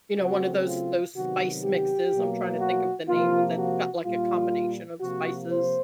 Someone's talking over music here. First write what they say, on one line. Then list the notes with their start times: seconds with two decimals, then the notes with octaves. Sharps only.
you know, one of those those spice mixes. I'm trying to think of the name, but that's got, like, a combination of spices,
0.19 C#3 F#3 A3 C4 F#4
0.68 F4
1.16 C3 D#3 F#3 B3 F#4
1.64 G4
2.12 B2 F#3 A#3
2.61 F#4
3.08 C3 F3 A#3 F4
3.57 F#4
4.05 A#2 G3 A#3 F4
5.01 C3 F3 A#3 F#4
5.50 C5